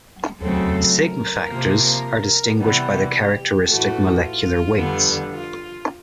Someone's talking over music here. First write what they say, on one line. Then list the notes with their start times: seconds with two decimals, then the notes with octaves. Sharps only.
Sigma factors are distinguished by their characteristic molecular weights.
0.40 C#3 F#3 A3 C4 A4
0.95 A#4
1.49 C3 F3 A#3
2.57 C3 E3 G3 B3
3.13 G4
3.67 A2 E3 A3 F#4
4.21 F4
4.76 F2 D3 G3 B3
5.31 F4